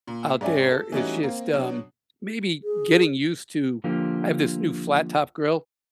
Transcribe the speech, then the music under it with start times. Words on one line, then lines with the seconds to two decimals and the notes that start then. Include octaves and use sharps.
out there is just, um, maybe getting used to I have this new flat-top grill
0.07 A#2
0.41 G#2 C#4 D5 E5 G5 G#5
0.72 A4
0.92 E3 G3 A3 C#4 D#4 F#4
1.23 A#3 C4
1.53 B2 F#3 D4
2.63 G#4
3.84 D3 F3 A#3 F4 G4